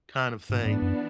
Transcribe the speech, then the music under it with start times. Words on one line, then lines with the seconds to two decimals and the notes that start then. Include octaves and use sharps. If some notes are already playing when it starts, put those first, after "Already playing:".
kind of thing,
0.49 G#2 E3 B3 D4
0.66 G#2
0.82 F#2